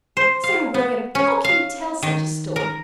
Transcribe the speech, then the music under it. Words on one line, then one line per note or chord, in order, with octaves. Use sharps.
Sir William, how can you tell such a story?
C5
F5
B3
C#4
F5
D#3
A#4